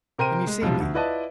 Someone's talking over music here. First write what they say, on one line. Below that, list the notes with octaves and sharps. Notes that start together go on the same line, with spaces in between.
"Can you see me?"
C3 A#4 C5 G5 D#7
G#3
B1 C3 F3 G3 G#3
D2
E4 F4 B4 D5 D#5 A5